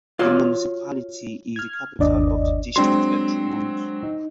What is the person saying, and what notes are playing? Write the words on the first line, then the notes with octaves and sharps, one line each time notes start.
The municipality is the capital of the district of Entremont.
F4 F#4 C#5 D5
F6 G#6
G1 D#2 D4 D5 D#5
F#3 G#3 C4 D4 C6
D#4